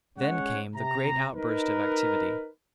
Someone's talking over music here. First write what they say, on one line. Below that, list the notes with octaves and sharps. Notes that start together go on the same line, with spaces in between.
Then came the great outburst of activity.
G#3 C#4 C#5 F#5
C3 A#5
D#4 A#4 B4